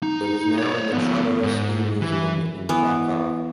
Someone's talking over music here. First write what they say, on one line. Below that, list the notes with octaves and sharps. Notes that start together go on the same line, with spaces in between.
It is now in the Czartoryski Museum in Krakow.
D#4
C#5 D5
F3 B3
G#2
E3
E3 B3